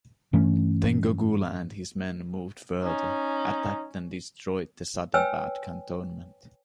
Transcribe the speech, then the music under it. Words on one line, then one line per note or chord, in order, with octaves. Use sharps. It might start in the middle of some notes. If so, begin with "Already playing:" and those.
Then Gokula and his men moved further, attacked and destroyed the Sadabad cantonment.
G2 E3 A3 C#4
C#4 D#4
B4 C#5 G5 G#5 E6